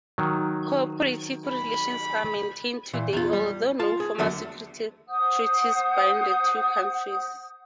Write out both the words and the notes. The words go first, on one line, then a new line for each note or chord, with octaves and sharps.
Cooperative relations are maintained today, although no formal security treaties bind the two countries.
D#3 F#3
B5
A#2 E3
E2 F4
G3
F4 A5
G#4
E2 D3 F#3 A3 A#3
C5 F#5 D#6 G6